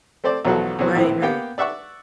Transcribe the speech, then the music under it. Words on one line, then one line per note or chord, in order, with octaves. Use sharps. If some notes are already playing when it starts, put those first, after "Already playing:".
Right, right.
A3 C4 C5 D5
B1 E2 F3 F#3 A3 F#4
E2 C3 F#3 C4
A#1 A2 E3 C4
A#3 B3 G4 G5
D5 E5 F#5 C#6 E6